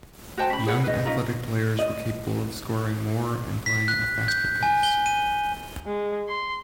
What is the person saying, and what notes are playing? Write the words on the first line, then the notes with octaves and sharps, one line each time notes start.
Young athletic players were capable of scoring more and playing at a faster pace.
F#4 C5 G5 A5
C#4 B5
G#4 C#5 F#5 B5
B4 D#5
C#4 D#4 F4 A#4
D#5
B6
F#6
G6
G#5
G7
D#7
G#3
C6